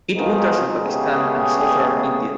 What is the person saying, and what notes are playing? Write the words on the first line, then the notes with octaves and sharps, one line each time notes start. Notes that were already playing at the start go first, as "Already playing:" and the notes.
It winters in Pakistan and southern India.
G#2 B2 D#3 F3 G#3 D#4
C#3 G#3 A3 B3 G4 G#4